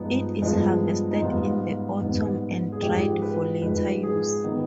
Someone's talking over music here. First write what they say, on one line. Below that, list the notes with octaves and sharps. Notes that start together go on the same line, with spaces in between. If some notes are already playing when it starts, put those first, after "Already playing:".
It is harvested in the autumn and dried for later use.
Already playing: G2 F3 G#3 B3 D#4
G2 F3 G#3 B3
D#4
G#2 G3 B3 F4
G#2 G3 B3
G#4
G#2 F3 G#3 G4
B4
G#2 F3 G#3 B4
G#4
D#3 B3